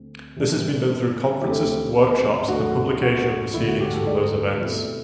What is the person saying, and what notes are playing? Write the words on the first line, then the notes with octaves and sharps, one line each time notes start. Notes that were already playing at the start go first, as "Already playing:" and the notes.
This has been done through conferences, workshops and publication of proceedings from those events.
Already playing: D2 C4
C3 E3 G3 D4
D2 D3 A3 C4 E4 G4
D2 D3 A3 D4 F#4
F#4
D2 D3 F#3 E4
F#4
G4
A4
D5
B2 A3 C4 E4